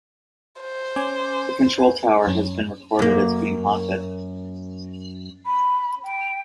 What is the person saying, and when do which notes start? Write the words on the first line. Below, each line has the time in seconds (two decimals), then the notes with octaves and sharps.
The control tower has been recorded as being haunted.
0.61 C5
0.96 C#4 G#5 D6
1.78 B4 G#5
2.27 F#2 C#4
2.99 F#2 A#3
5.46 B5
6.04 G5